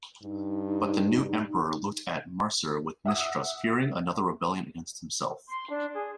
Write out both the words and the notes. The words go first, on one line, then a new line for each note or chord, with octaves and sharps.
But the new emperor looked at Macer with mistrust, fearing another rebellion against himself.
G2 D#4
E5 F#5 D#6 E6
C6
D4
G#4